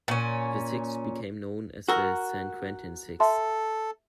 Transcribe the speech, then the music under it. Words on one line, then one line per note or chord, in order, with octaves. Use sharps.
The six became known as the "San Quentin Six".
A#2 C#4
F#4 A#4 E6
A4 E5 A5 C6